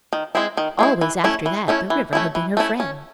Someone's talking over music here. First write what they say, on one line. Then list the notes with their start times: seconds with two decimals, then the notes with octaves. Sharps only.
Always after that the river had been her friend.
0.13 D#3
0.35 G#3 C4 E4
0.57 D#3
0.79 G#3 C4 E4
1.01 E3
1.24 A3 C#4 E4
1.46 E3
1.68 A3 C#4 E4
1.90 E3
2.13 A3 C#4 E4
2.35 E3
2.57 A3 C#4 E4
2.80 C#4